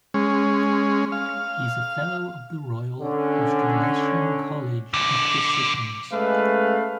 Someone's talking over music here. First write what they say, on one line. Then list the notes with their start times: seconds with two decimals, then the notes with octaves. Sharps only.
He is a Fellow of the Royal Australasian College of Physicians.
0.14 G#3 C#4
1.12 F5
3.00 D3 C#4
4.94 B1 D3
6.13 G#3 A3 C#4 B4 F5